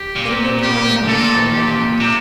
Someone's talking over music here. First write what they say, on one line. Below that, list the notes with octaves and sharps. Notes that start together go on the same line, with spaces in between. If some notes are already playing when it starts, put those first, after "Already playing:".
But it looked hard enough, for all that.
Already playing: G4
A#2
G4
A#2 A4
G4
C3